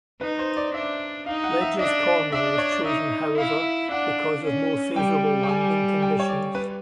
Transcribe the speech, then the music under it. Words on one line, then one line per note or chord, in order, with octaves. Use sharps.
Leger's Corner was chosen however because of more favourable landing conditions.
D#4 B4
C5
D5
D4 E5
D#4 F5
F#5
E5
D4 D#5
D5
D4 E5
D#5
C#5
D5
D#4 E5
E4 F5
D4 F#5
C#4
G3 G5
G5
G#5
G5
C#5
D5
B4